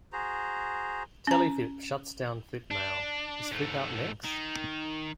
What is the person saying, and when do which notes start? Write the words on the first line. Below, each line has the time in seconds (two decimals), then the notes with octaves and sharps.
Teleflip Shuts Down Flipmail, Is Flipout Next?
0.13 F#4 G#4 C5 A#5
1.27 C#4 A#5
2.70 D4
3.51 G#2 A3
4.25 D#3